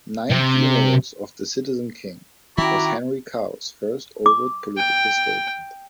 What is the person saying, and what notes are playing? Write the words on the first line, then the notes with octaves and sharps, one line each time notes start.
"Nine Funerals of the Citizen King" was Henry Cow's first overt political statement.
C3
D#3 C#4 E4 F#4 G5 A#5 D6
D6
G5